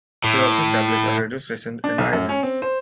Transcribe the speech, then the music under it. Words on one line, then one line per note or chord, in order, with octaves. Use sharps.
He also established a radio station in the islands.
A2
D4
B1
F#2
C#4
C4
C5